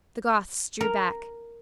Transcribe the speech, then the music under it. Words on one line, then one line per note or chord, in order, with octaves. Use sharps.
The Goths drew back.
A#4